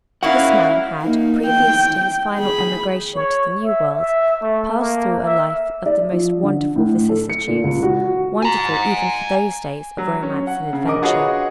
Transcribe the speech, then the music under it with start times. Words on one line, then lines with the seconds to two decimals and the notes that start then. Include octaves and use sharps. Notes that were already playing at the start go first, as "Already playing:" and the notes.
This man had, previous to his final emigration to the New World, passed through a life of the most wonderful vicissitudes--wonderful even for those days of romance and adventure.
0.23 G#2 A#3 C#4 E4 F#4 F5 F#5
1.01 A#3 D#4
1.47 G5
2.35 G#4 B5
3.15 C#5
3.63 E5
3.95 E5
4.41 A3
4.78 A#3
5.24 E5
5.86 D5
6.12 F3
6.43 D3
6.76 A2
7.09 A4
7.30 C#7
7.48 A#2
7.64 C#2
7.83 F#4
8.42 G#5 A#5
9.98 F#3
10.23 C#4
10.47 F#5
10.73 C#3
10.86 A#1 A#4 D#5 D6
11.02 F4 F#4 G#4 B4 C#5 D#5